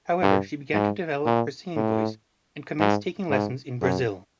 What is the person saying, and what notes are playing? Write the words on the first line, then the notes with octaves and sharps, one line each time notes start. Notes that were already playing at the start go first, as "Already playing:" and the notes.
However, she began to develop her singing voice and commenced taking lessons in Brazil.
G2
G#2
A#2
A2
G#2
G#2
F#2